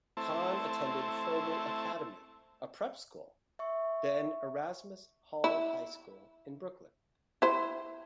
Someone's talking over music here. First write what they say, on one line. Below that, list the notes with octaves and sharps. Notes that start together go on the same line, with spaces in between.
Kahn attended Froebel Academy, a prep school, then Erasmus Hall High School in Brooklyn.
A3 C4 E4
E5 C#6
E4
E4 C5